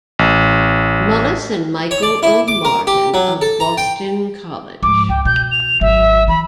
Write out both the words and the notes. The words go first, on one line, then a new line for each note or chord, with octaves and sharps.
Mullis and Michael O. Martin of Boston College.
A1
C#5
D5
E4
D6
A#4
G4
F#3
A4
A#5
G5
G#2 F3 D6
C#2 G5
B2 G6
F7
G#1 F#3 E5
E3 B5